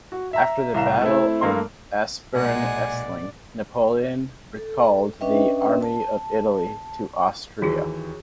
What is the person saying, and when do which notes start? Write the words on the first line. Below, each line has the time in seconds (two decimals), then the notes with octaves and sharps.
After the Battle of Aspern-Essling, Napoleon recalled the Army of Italy to Austria.
0.12 F#4
0.33 E5 A#5
0.74 C2 A2 F5 A#5 E7
1.01 A3 C4 E4
1.41 G2 A3 A#3 A#5 C6
2.35 B1 A#2 G#3 D5 F#5 G#5
4.57 A4
5.21 C#4 D4 B4 D#5 E5 G5
5.83 A5
7.62 D#2 E3 F#4 G#4